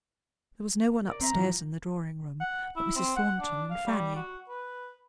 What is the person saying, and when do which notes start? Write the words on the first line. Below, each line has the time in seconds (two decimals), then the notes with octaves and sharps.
There was no one up-stairs in the drawing-room but Mrs. Thornton and Fanny.
1.07 A#4 D5
1.21 C4 E5 A#5
1.33 G#2 E3 F3
2.40 F#5
2.76 E4
2.96 C4
3.16 F#5
3.40 D4
3.70 F5
3.87 G3
4.16 F#4
4.48 B4